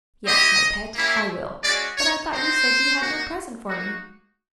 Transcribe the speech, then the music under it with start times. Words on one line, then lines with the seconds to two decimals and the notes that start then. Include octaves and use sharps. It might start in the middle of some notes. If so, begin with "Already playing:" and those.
"Yes, my pet, I will; but I thought you said you had no present for me?"
0.26 C4 E4 G4 D#5
0.95 A#3 C#4 E4 G4
1.63 G#3 C#4 F#4 D5
1.98 C#5
2.32 C4 D#4 F#4 C5
3.01 A#3 D#4 F#4
3.69 A#3 D#4 F#4